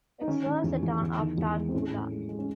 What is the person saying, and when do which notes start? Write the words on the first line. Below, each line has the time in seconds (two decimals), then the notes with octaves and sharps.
It serves the town of Tarcoola.
0.21 D#4
0.28 D#3 C#4
0.46 D#3
0.64 E2
0.82 E2
1.01 E2
1.19 D#3
1.38 E2
1.55 G#3
1.69 C4
1.74 A2 C#4
1.92 A2
2.10 G#3
2.29 G#3
2.39 C#4